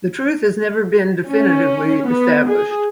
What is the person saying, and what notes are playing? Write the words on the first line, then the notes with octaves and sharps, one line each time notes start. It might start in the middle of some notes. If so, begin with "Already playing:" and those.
The truth has never been definitively established.
C#4
B3
G#4